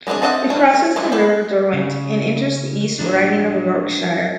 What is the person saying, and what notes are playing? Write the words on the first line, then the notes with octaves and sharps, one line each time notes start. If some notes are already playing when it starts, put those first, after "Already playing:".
It crosses the River Derwent and enters the East Riding of Yorkshire.
G#3 B3 C4 D4 G#4
C4 A4 D#5 E5 F#5
G3 D4 C#5
A3
F3 G#3 D4 E4
B3 E4 G5
C#3
F3 D4